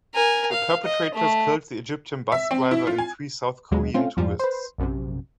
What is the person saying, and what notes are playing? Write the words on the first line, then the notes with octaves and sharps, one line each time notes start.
The perpetrators killed the Egyptian bus driver and three South Korean tourists.
A#4 G#5
F5
D#5
A3
E5
C4
E4
F4
G#5
D#2 D3 F#3 G#3
A3 C4 C#4 F4
F2 G#2 F3 G3
B4 C5
A#1 F#2 C3